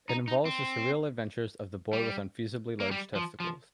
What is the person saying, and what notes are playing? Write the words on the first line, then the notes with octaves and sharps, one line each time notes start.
It involves the surreal adventures of "the boy with unfeasibly large testicles".
D#4
D#4
C4
G3
A#3
G3
F3
F3